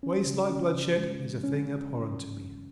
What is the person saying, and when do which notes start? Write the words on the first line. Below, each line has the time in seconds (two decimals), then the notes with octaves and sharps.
Waste, like bloodshed, is a thing abhorrent to me.
0.03 C#4
0.26 C#3
0.50 C#4
0.74 C#3
0.98 G#3
1.20 C#3
1.43 C#4